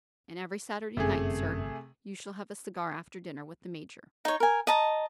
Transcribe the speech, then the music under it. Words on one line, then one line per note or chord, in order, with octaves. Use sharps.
And every Saturday night, sir, you shall have a cigar after dinner, with the Major.
G1 F#2 C3 A3 G#4
D#4 C#5
A#4 G#5
D#5 A5 A#5